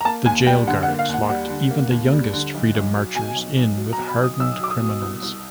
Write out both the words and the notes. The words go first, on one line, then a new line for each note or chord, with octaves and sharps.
The jail guards locked even the youngest freedom marchers in with hardened criminals.
A#5
A#3 A5
D#2 G#5
G3 G5
D3 F#5
F#5
A#3
F5
D#2 F#5
G3 F#5
D3
A#3
D#2
G3
D3
B1
B1
F#3
B2 G#5
B1
B1
F#3
A#5
B2
B5
B1 D#6
B1 E6
F#3 D6
D#6
B2
C2
C2